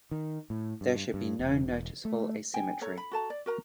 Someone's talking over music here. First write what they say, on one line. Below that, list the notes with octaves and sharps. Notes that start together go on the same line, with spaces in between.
There should be no noticeable asymmetry.
D#3
A2
G2
G2
E1
A3
G5 G#5
A4 C#5 A#5
B5
F#4 A4 A5 A#5
D5
F#4 A#4 A#5